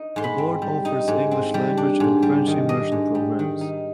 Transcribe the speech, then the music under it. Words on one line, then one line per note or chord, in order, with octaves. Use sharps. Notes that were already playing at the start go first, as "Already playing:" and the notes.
The Board offers English language and French Immersion programs.
Already playing: D#4
G#2 C6
B5
C4
G3
D#4
G#2
C4
G3
D4
G#2
G3
D#3
D4 D#5
G#2
G3
D#3
D#4